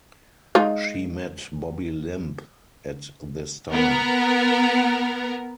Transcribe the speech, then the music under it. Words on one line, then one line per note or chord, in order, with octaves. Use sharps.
She met Bobby Limb at this time.
G#3 D#4 F4
B3 A#4